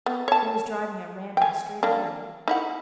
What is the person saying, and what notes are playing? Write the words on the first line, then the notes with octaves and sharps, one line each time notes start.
He was driving at random, straight ahead.
B3
C#5 A5
G5 G#5
A#3 D4
D#4 E4 F#5